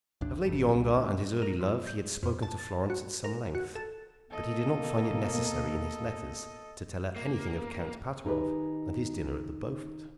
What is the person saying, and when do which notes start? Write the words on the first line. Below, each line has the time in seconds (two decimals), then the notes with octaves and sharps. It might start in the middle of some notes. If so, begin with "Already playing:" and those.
Of Lady Ongar and his early love he had spoken to Florence at some length, but he did not find it necessary in his letters to tell her anything of Count Pateroff and his dinner at the Beaufort.
0.21 A1 D#2 D4
0.42 G#1 F2
0.74 C2
0.97 A2 D3
1.42 A#4
1.61 F2
1.87 G6
2.23 F2
2.43 A5
2.58 A6
2.90 F#4
3.24 A#4
3.55 F#4
3.75 A4
4.30 B2 A#3 A4 D#5
7.16 A#3
8.25 D#3 D#4 G4 G#4 B4